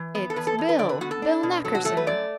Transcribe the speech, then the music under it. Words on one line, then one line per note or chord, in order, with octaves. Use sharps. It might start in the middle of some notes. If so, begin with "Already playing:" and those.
"It's Bill--Bill Nackerson!"
Already playing: E3
B3
A4
E2 B4
A4
E2
B4
D3 D5
B4
B3 F#4
A4
D4
B2
F#3 A4
F#4
A3 A4
B4
F#2 D5